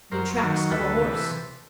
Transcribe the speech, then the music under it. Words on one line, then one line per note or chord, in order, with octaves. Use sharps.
"The tracks of a horse."
F#2 A#4 C5
D#3 F#3
D2 A4 B4
C3 E3